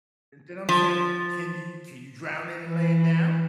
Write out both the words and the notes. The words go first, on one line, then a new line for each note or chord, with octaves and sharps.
then I'm saying, "Can you can you drown in it laying down?!"
F3
E3